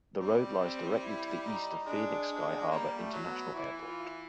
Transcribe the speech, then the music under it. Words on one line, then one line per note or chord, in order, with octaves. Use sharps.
The road lies directly to the east of Phoenix Sky Harbor International Airport.
G3 C4
C4
E4
D#4
G#3 D4
D4
G3 A#3
A3
F#3
B3
E3 E4
F4